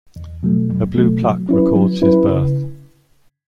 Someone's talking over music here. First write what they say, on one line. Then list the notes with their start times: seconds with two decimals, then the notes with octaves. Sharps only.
A blue plaque records his birth.
0.16 E2
0.43 B2 F#3 A3
0.70 E2
0.95 B2 F#3 A3
1.23 F#3
1.49 C#4 E4 B4
1.75 F#3
2.02 C#4 E4 B4
2.29 C#3